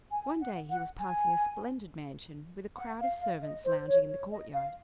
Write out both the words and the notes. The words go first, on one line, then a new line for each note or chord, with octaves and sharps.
One day he was passing a splendid mansion, with a crowd of servants lounging in the courtyard.
G#5
F#5
F#5
G#5
F#5
F5
F5
D#5
C5
C#5
C#5
D#5
F5